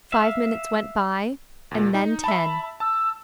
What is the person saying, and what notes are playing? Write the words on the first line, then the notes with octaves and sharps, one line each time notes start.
Five minutes went by and then ten.
E5 F5
D2 A#2
D#4
E5 A5 B5
A5 E6